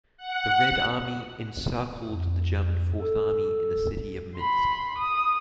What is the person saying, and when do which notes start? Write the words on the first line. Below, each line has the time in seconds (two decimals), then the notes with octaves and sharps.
The Red Army encircled the German Fourth Army in the city of Minsk.
0.17 F#5
2.07 F2
3.01 A4
4.36 B5 C6
4.98 D#6